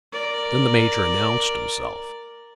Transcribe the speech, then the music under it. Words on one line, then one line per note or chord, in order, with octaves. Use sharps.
Then the major announced himself.
A#4 D5